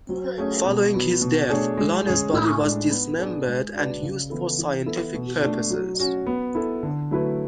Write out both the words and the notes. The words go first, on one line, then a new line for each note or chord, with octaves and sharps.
Following his death, Lanne's body was dismembered and used for scientific purposes.
F#3
A3 C#4 G#4 C#5
B2
F#3 B3
B2
A3 D4 G#4 C#5
G#3
C#4 G#4 C#5
A2
G#3 D4
B3
D4 G#4
G#3
D4 F#4 B4 D5
C#3
E3 B3 E4 A4
E3
B3 E4 A4
B2
A3 D4
F#3
C#4 F#4
B3
E4 A4
D3
F#3 A3 E4 B4